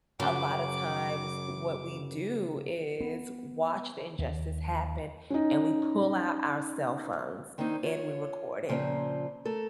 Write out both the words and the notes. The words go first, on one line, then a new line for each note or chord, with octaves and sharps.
a lotta times what we do is watch the injustice happen, and we pull out our cell phones, and we record it,
F#2 C#3 F#4 D6
B3
D#2
C#4 D#4
D#3 A#3 C4 D4 D#4
F4 C#5
A#2 C#3 F3 A#3 C4
A3 A4 A#4